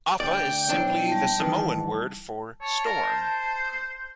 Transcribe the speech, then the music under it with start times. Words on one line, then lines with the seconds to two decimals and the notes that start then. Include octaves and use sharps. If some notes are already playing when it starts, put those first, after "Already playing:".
Afa is simply the Samoan word for "storm".
0.20 D2 D5 G5
0.69 B1 D4 E4 C5
1.08 G3 A5
1.40 D#3 E3
2.61 C#5 A5
2.86 A#4
3.07 C5